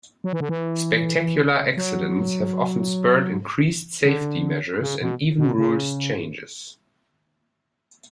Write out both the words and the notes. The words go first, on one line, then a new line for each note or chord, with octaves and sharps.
Spectacular accidents have often spurred increased safety measures and even rules changes.
F#3
E3
D3
E3
F#3
D3
C#3
B2
B2
C#3